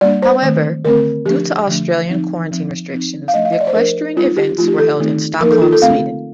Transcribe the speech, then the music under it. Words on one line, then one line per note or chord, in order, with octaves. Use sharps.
However, due to Australian quarantine restrictions the equestrian events were held in Stockholm, Sweden.
G3 A#3 D4 D5
C5
D#3 A3 C4
D3 A3 C4 A#4
F3 A3 D4 G4
D3 F3 A3 D4
F3 C4 D#4
F3 C4 D#4
F3 C4 D#4
F5
F3 A3 D4 D#5
F5
D#5
D5
C5
F3 A3 D4 A#4
G3 C4 D#4 F4
G4
F3 A3 D#4 F4
G4
A4
D#3 A3 C4 D#4
F3 A#3 D#4 A#4
A4
F4
A4
D3 A3 C4 F5